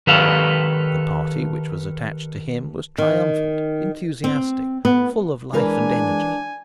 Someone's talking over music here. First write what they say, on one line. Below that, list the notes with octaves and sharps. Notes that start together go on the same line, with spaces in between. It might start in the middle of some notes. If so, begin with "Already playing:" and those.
The party which was attached to him was triumphant, enthusiastic, full of life and energy.
D#3 G4 A4 B4 F5
D#3
C4
B3
E3 G#3 D4 A#4 B4 G#5